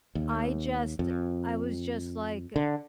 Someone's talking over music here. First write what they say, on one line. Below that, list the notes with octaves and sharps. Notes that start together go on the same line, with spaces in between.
I just I was just, like, eh,
D#2
F2
D3